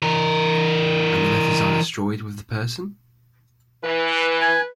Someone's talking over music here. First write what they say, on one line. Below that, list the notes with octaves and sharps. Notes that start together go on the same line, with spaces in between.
And the letters are destroyed with the person?
E3 A#4
E3 B4
G#5